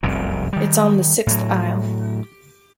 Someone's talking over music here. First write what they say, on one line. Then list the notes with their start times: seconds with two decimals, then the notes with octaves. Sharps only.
It’s on the sixth aisle.
0.03 F1 C2 F#2 C3
0.53 D#3 G3
1.27 A2 F#3